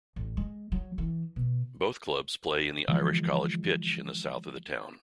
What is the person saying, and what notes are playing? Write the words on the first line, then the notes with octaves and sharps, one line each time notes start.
Both clubs play in the Irish College pitch in the south of the town.
A1
G#3
F#3
E3
B2
D3 E3 F3 G#3